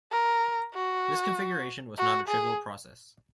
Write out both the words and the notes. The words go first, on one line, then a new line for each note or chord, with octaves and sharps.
This configuration was not a trivial process.
A#4
F#4
F#4
G#4